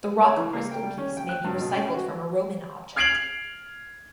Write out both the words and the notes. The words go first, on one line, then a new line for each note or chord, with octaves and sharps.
The rock crystal piece may be recycled from a Roman object.
C#5
E3
A#3
G5
G3
C#4
G5
F#6
G2
B2
C#4
F#4
F6 G#6 C7 D7 F7 F#7